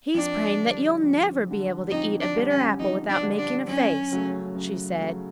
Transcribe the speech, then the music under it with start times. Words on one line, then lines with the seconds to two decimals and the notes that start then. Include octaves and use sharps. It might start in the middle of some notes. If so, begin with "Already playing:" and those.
"He's praying that you'll never be able to eat a bitter apple without making a face," she said.
0.14 F2 D4
0.58 D3 G3
1.03 F2
1.47 D3 G3
1.91 F2 D#4
2.21 D4
2.36 D3 G3
2.50 C#4
2.79 F2 D#4
3.09 D4
3.23 D3 G3
3.38 D4
3.67 F#2 C#4
4.11 C#3 F#3 A3
4.55 F#2
5.00 C#3 F#3 A3